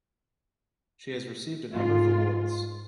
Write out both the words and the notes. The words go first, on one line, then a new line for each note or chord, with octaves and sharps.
She has received a number of awards.
G#2 F4